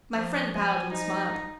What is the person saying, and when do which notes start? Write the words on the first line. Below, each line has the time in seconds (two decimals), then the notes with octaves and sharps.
My friend bowed and smiled.
0.12 F3
0.53 G#5
0.90 D#4 A#5